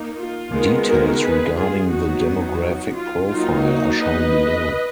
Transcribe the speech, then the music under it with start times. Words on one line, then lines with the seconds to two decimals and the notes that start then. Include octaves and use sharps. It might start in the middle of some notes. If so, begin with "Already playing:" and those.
Details regarding the demographic profile are shown below.
Already playing: A#3 D#4
0.18 F4
0.53 D#3 G#3 B3
0.87 F#4 A#4
1.22 G#4 B4
1.56 F4 G#4
1.91 F#3 B3 D#4 F#4
2.26 F#4
2.95 F4
3.29 F#3 A#3 D#4 F4
3.65 F#4
3.99 B4 D#5